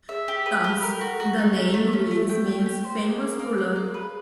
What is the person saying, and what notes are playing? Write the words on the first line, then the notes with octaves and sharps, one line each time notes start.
Thus, the name Ruiz means "famous ruler".
G#4 E5
G4
B4
G4
A4 A#4
F#4 A4
F#4 G#4
D#4 G#4
C#4 A4
A3
C#4
A3
G5
G5
G4
C5
A#3 G#4
A#3
A#3
A#3
A#3
B4